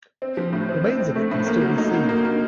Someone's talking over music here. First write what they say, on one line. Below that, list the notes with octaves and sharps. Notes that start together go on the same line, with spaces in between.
Remains of it can still be seen.
C4
F3
A2
C4
C4
C4
A3
A2
A#3
F#3
D#4
A#3
A#3
A#3